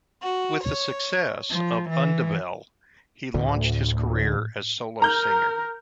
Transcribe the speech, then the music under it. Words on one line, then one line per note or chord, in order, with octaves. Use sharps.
With the success of "Undebel" he launched his career as solo singer.
F#4
C#5
F3
E3
D2 A2
A#4 A#5 G6